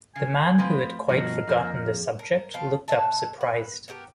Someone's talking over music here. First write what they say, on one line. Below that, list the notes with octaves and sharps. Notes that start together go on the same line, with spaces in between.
The man, who had quite forgotten the subject, looked up surprised.
C#3 G#5 C7
F3 A3 C4 B4 C6
G2 B2 F3 F#4 A#4 D#5 A#6 C7
F2 F3 A#3
G#4
A#4
F3 B3 F5 G5
B2 B4 E5 A5
B4
B3 F#4 G4 A#4